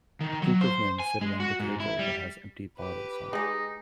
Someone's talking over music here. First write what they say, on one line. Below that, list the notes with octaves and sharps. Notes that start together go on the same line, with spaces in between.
A group of men sit around a table that has empty bottles on it.
D#3
F#3
C5
G#5
G#3
F#4
G#2
E4
G3
G4 B4
G#3 D#4 G#4